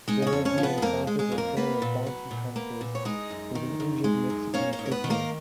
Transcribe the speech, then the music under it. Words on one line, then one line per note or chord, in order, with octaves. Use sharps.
There, he encounters a pair of bounty hunters with an injured Mexican prisoner.
G#3 D#4 D#5
D#5
C#4 C#5
F2
C#4 C#5
F3
B3 B4
G#4
F2 A#3 A#4
G#3
G#3 G#4
F2
A#3 A#4
A#3 B3 B4
A#2
F#3
A#2
A#3
A#2
C#5
G#3 D#4 D#5
F#2
D#3
F#2
G#3
F#2
A#3 C#4 C#5
C#4 C#5
G#2
A#4
B3 B4
D#3
A#3 A#4